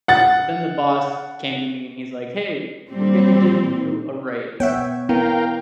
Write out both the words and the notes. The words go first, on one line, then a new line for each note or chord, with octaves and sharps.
But then the boss came to me, and he's like, "Hey. We're gonna give you a raise".
F#5 A6
A#2 G3 C4
B3 C#5 E5 F#5 G5
B3 E4 A#4 F5 G5